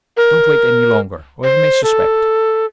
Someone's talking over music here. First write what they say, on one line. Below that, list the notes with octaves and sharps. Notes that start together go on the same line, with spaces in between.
Don't wait any longer or he may suspect.
A#4
C5
A4